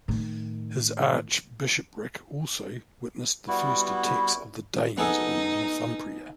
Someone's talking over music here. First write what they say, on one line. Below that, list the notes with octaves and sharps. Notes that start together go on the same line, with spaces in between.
His archbishorpric also witnessed the first attacks of the Danes on Northumbria.
A2 D#3
G3 B3 E4 F#4
B3 D#4 G#4 A4